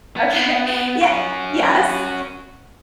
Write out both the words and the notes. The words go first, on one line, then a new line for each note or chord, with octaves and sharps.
Okay. Yeah Yes.
B3
C#4 F#4